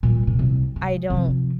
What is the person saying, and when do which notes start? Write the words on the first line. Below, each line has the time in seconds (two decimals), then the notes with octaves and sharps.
I don't
0.03 A#2 G3
0.27 C3
0.39 C2
0.76 G#3
1.10 C3 F3